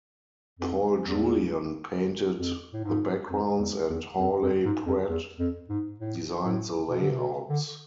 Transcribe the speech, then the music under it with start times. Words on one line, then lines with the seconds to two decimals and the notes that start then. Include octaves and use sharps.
Paul Julian painted the backgrounds and Hawley Pratt designed the layouts.
0.59 F2
1.05 E2
2.39 F2
2.73 A2
2.84 G#2
3.30 F2
3.59 E2
3.90 E2
4.19 F2
4.42 F2
4.65 G#2
4.86 F2
5.09 E2
5.39 F2
5.69 G#2
6.00 A2
6.45 A2
6.90 B2
7.01 D3
7.11 C3
7.19 B2
7.49 D3